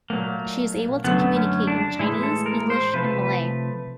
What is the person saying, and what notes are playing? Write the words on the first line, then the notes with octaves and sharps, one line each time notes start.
She is able to communicate in Chinese, English, and Malay.
A#2 F#3 A3 A#3
F#2 D3 F#3 A3 B3
C#4
D4
A2 E3 G#3 E4
A4
A#4
C5
C3 F3 A3 B4